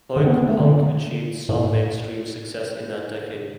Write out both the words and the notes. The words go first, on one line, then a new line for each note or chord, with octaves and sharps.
Folk punk achieved some mainstream success in that decade.
D3
B3
B3
A3
D3
A2